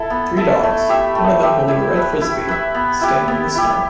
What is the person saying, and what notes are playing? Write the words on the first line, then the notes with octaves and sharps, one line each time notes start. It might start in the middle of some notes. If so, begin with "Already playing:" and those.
Three dogs, one of them holding a red Frisbee, stand in the snow.
Already playing: E4 A4
B3
E4 A4
A3
G4 E5
A3
G4 E5
E4
B4 E5
E4
B4 E5
B3
E4 G4
B3
E4 G4